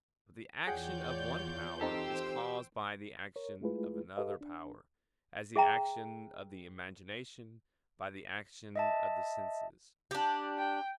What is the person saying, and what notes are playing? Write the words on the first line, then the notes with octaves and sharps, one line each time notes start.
But the action of one power is caused by the action of another power, as the action of the imagination by the action of the senses.
E2 F4 G#4 C#5 D5 F#5 G5 G6
C4 D#4 G4 A4 C5 G5 E6
A#4 C#5
G#3 A3 E4 F4 G#4 B4
G4 A4 B4 D#5 F5
D4
G#4 E5 G5 A#5
D#5 E5 A5
D4 G4
G5